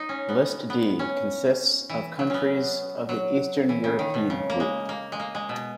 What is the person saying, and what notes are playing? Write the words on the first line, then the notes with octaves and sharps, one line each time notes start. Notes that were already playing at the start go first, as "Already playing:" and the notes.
List D consists of countries of the Eastern European Group.
Already playing: D#4
C#4
B3
B3
C#4
E3
F#3
B3 C#4
F#3
E3
C#3
D#3
B2
C#3
A#3
G#3
A#3
G#3
A#3
G#3
B2